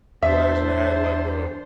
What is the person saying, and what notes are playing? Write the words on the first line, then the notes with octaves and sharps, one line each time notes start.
who hasn't had like, uh
E2 D4 C5 E5